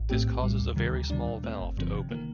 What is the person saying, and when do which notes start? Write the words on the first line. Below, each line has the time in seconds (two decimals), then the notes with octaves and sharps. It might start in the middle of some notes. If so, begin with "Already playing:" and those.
This causes a very small valve to open.
Already playing: A1
0.10 A2 A3 C4 G4
0.26 A#1
0.43 A2 G3
0.60 D2
0.76 C3 D#3 G3
0.93 D2
1.10 C3 D#3 G3 D4
1.27 A#2
1.43 A3 C4
1.61 G1
1.77 G2 D3 F3 C4
1.95 C3
2.11 D#3 A#3